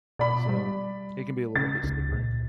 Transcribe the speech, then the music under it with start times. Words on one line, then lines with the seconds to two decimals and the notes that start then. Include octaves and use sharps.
So, it can be a little bit slippery.
0.19 B2 D5 B5
0.49 G3
1.56 C#3 A6
1.84 C#2
2.12 A#2